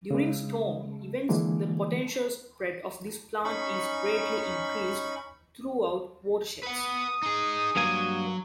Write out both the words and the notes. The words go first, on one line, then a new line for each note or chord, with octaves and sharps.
During storm events the potential spread of this plant is greatly increased throughout watersheds.
C#3 G#3
D3 E3 F3 G#3 A#3
C#4 D#4 B5 C#6
B4 F#5 D#6
D#4 G#4
G2 F#3 A#3 G#5